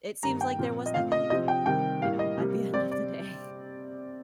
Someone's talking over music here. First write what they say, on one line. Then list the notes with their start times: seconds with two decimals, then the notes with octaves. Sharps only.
It seems like there was nothing you could've done, you know, at the end of the day.
0.23 G2 D#3 A#3 A#5
0.41 G5
0.59 A#2 F3 C4
0.86 D#5
0.94 A#2 A3 C4 F5
1.12 D#5
1.30 C3 F3 C4 D#5
1.48 G5
1.66 C3 D#3 G3 G5
2.01 A2 G3 A#3 F5
2.19 D#5
2.37 C3 G3 A#3
2.73 C3 G3 C4 D5
2.91 D5